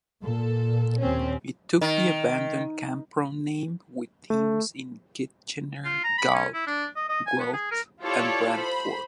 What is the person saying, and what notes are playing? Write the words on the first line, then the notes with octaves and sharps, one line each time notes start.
It took the abandoned Canpro name with teams in Kitchener, Galt, Guelph, and Brantford.
A#2 A4
D#2 C4 C#4
D#3
A3
F4
A#5
B5
C#4
E4
D4
D#5
D#5
G#5
B3
G#4
A#4
E4 F4 G4 A4 C#5 D5
C5 B5